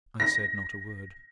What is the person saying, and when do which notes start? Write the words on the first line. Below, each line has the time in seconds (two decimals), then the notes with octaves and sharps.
I said not a word.
0.20 A#6